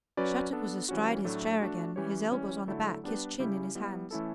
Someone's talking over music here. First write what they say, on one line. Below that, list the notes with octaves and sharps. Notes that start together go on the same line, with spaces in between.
Shattuck was astride his chair again, his elbows on the back, his chin in his hands.
F#3 C#4 F#4 B4 D5
B3 D4 A4
E3 G3 C#4 F#4
A2 F#3 A3 D4
A3 D4 F#4
E3 G3 C#4 G4 C#5
E3 G3 C#4
D3 F#3 A3 E4 A4
G3 B3 D4 G4 B4
C#3 G3 C#4 E4 G4
G3 B3 E4
E3 A3 C#4 E4 A4